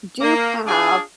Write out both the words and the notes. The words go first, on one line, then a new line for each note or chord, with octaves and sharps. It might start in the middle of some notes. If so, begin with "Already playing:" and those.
do have
A#3
D4 F4 G#4